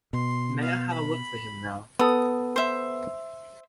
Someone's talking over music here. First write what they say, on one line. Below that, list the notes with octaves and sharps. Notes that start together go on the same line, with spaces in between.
May I have a look for him now?
B2 C6
B3 F5
B5
B3 A4 D#6
C5 E5